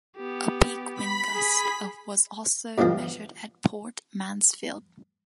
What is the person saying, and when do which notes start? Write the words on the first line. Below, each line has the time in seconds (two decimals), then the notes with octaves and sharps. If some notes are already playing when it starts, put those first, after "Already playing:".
A peak wind gust of was also measured at Port Mansfield.
0.16 B3 G4
0.94 B5 B6
1.35 G#4
2.78 B2 D3 E3 F3 C4